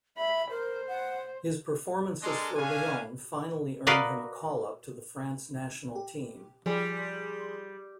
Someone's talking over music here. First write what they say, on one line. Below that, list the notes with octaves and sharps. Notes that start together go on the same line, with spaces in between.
His performances for Lyon finally earned him a call-up to the France national team.
E5 B5
A#4 C5
F#5
G#3 D4 A4 A#4 D#5 C6
C#4 D4 F5 G#5
F#4 A#4 B4 D5 D#5 F5
G4
F3 G3 G#4 C6